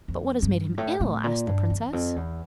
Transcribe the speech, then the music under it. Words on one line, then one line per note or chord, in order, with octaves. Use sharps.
'But what has made him ill?' asked the princess.
F2
G2
A2
A2
A#2
G2
E2
F2
E2